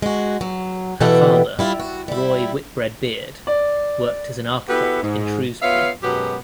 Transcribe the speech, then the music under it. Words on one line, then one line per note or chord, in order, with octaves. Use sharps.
Her father, Roy Whitbread Beard, worked as an architect in Shrewsbury.
G#3 F#4
F#3
B2 E3 G4 A4 E5 F#5
G3 E4 F4
F#4
G3 E4
D5
B3 E4 F#4 G4 A4 B4
G#2
B3 F4 C#5 E5 F5
F#2 B2 F#3 G#3 B3 G4